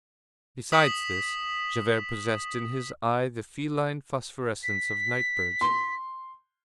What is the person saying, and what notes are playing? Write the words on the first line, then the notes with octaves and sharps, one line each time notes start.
Besides this, Javert possessed in his eye the feline phosphorescence of night birds.
D#6 B6 E7 F#7
B6
C6